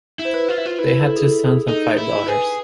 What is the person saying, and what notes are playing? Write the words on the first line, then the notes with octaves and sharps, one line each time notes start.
They had two sons and five daughters.
E4
C5
B4
F4
E4
F4
E4 B4
A4
G#4
A4
G#4
D#4 A4
E4
G#4 B4